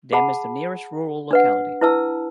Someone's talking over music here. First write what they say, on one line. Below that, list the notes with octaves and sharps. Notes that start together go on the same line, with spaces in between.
Dim is the nearest rural locality.
G#4 F#5 A5 B5
D4 B4 F#5
E4 B4 A5 E6